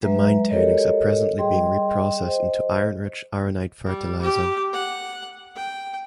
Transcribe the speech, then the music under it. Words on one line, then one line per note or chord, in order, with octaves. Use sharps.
The mine tailings are presently being reprocessed into iron-rich Ironite fertilizer.
F#3 G#3 B4 E5 A#5
F#4 G4 A4 A#4 C#5 D#5
G3 G#4 D#5 G5 C6
C5 D#5
G3
G4
F#5
G5